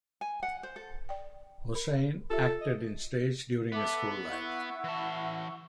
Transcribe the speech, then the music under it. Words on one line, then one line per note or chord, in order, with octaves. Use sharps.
Hossain acted in stage during his school life.
G#5
F#5
C5
A4
D5 G5
A#4 B5
F4 G4 A4 E5
D#5
B3 A4 E5 D6
E4 F#5 C#6
E3 A5